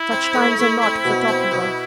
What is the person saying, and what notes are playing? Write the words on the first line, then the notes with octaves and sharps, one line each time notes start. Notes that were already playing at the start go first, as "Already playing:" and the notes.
Such times are not for talking of.
Already playing: E4
C4
A3
A3
C4
B2
C4
B2